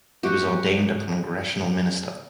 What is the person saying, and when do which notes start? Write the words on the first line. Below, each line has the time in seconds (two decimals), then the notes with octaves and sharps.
He was ordained a Congressional minister.
0.23 F#4 G4